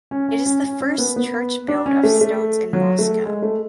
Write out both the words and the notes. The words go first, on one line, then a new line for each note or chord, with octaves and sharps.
It is the first church build of stones in Moscow.
C#4
C#4
C#4
C#4
C#4
B3
B3
D4
C#4
A3
A3
F#3
A3
G#3
A3